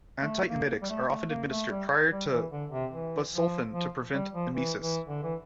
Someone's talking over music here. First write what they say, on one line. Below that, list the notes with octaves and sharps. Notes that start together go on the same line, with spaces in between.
Antiemetics are often administered prior to busulfan to prevent emesis.
A3
A#3
G3
A3
A3
A#3
A3
G3
G3
E3
D3
C3
E3
F3
F3
G3
F3
E3
E3
D3
E3